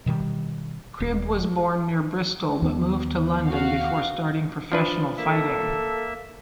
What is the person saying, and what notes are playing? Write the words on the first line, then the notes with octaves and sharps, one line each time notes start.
Cribb was born near Bristol but moved to London before starting professional fighting.
B2 D#3 F3 G3
D#1
D#2 B3
F#4 F5
F3 D4 B4
A#3 A4 E5